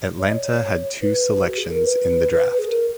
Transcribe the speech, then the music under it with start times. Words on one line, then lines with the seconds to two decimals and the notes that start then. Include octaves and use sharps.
Atlanta had two selections in the draft.
0.19 C#5
0.26 D#5
0.33 C#5
1.01 B4
1.46 F#4
1.58 G#4
1.71 A#4
1.84 B4
2.59 G#4
2.67 A#4